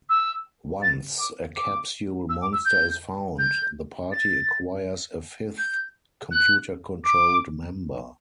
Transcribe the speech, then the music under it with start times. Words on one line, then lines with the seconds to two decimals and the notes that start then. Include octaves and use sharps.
Once a Capsule monster is found, the party acquires a fifth, computer controlled member.
0.09 E6
0.82 A6
1.18 D6
1.56 D6
2.29 E6
2.41 D6
2.53 E6
2.65 G6
3.39 G6
4.12 A6
5.58 G6
6.31 F#6
7.04 D6